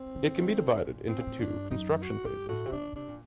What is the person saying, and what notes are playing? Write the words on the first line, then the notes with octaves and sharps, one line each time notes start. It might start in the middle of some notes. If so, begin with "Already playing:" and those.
It can be divided into two construction phases.
Already playing: C4
D3
D#3
D3
A#2
A2 C4
A#2
A2
G2 D4
F#2 D#4
F#4
G2 G4
A2 F#4
C3
D3 D4
C3 D4
A#2